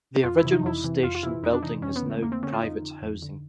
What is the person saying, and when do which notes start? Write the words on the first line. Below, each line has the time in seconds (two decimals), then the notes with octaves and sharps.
The original station building is now private housing.
0.24 F2 F4
0.38 E4
0.44 C3 E3
0.52 D#4
0.63 F2 E4
0.84 C3 E3
1.03 F2 F4
1.15 F4
1.23 C3 E3 E4
1.43 F2 D#4
1.53 D4
1.63 C3 E3 D#4
1.82 F2 C#4
1.96 B3
2.03 D3
2.10 A3
2.23 F2 A#3
2.32 C4
2.43 D3 C#4
2.53 F4
2.62 F2 D#4
2.82 D3
3.02 F2
3.22 D3